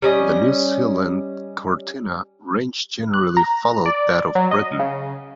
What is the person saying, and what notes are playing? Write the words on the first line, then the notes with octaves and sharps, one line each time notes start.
The New Zealand Cortina range generally followed that of Britain.
G3 C#4 D#5
F#6
A#5
D5
F#3
D#5
C#3